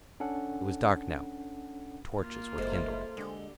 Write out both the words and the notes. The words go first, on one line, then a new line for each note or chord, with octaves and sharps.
It was dark now, and torches were kindled.
C#4 D4 A4 F#5
A#3 F4
F#1 G#3 E4 A4 C5
D3 G#3 G4